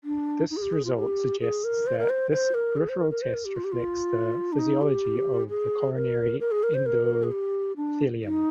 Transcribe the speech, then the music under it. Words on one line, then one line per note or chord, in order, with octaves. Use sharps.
This results suggests that this peripheral test reflects the physiology of the coronary endothelium.
D4
D#4
G#4
G4
G#4
F4
G4
G#4
A#4
C5
A#4
C5
C5
A#4
G#4
C5
A#4
A#4
C5
A#4
G4
F4
G4
F4
D4
D#4
G4
G#4
A#4
A#4
G#4
A#4
C5
A#4
G#4
G4
D4
D#4